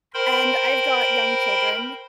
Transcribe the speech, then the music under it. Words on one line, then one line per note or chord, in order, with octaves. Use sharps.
And I've got young children,
A#4 C5 G5 B5 C6